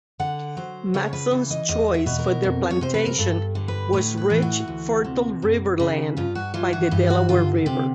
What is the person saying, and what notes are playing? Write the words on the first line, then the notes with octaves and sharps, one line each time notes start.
Mattson's choice for their plantation was rich, fertile river land by the Delaware River.
D3 F#5
F#3 C5
C#3 C#5
B4
E3
D#5
E2 D#5
E5
B2
A#4
F2
C#5
C3 C5
B4
A#4
G2 A4
D3
B4
A2 B4
B4
E3
F#4
D2
C3
F#2
C#3
G2 F4
F#4
E3 F4
F#4
G2 G4
F#4
D3 F4
C3 G4